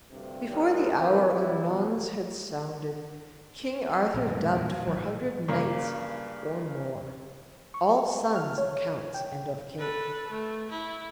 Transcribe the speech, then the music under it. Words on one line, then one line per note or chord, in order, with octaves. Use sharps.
Before the hour of nones had sounded, King Arthur dubbed four hundred knights or more all sons of counts and of kings.
D2 G2 C3
D#2 G3
A#3 C4 G4 B4
G3 E4 B4
B2 F3
A#1 A#2
B1 G2 A3
E2 A#2 G#3
F#3
G#1
A2
G2 C#3 A#3
C#6
F6
C#5
G5
A4 B4
A3
E4